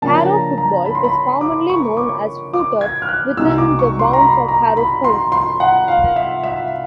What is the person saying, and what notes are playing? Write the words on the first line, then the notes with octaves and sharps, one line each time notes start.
Harrow football is commonly known as footer within the bounds of Harrow School.
C#3 F3 A#3 D4 A5
A#5
A#5
B5
C6
B5
D6
C#6
D6
D6
G#6
F6
F#6
C2 B2 G#3 C4 D#4 E6
D6
C#6
C6
A#5
B5
A#5
B5
C6
C6
F#5
F5
E5
E5